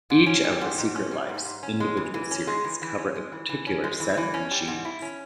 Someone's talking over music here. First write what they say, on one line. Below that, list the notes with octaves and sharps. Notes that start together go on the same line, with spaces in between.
Each of the "Secret Life"'s individual series covers a particular set of machines.
G#2
C#4
G3
G#2
G#2
C#4
G3
G#2
G#2
C#4
G#3
E3
E3
C#4
G#3
E3
E3
C#4
G#3
E3
E3
C#4
G#3
E3
E3
C#4
G3
G#2
E4
C#4